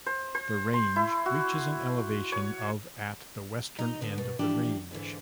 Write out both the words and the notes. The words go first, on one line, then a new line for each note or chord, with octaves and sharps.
The range reaches an elevation of at the western end of the range.
C5
C5
C6
E4
F#4
C#5
D#4 D#5 A#5
D3 B3
B2
E3 F3 D4 G4
G#2 D3 E3